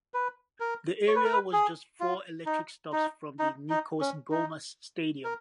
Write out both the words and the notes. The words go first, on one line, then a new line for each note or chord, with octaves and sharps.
The area was just four electric stops from the Nikos Goumas Stadium.
B4
A#4
C#5
B4
A#4
B4
G#4
F4
D#4
D#4
D#4
D#4
C#4
D#4
A#4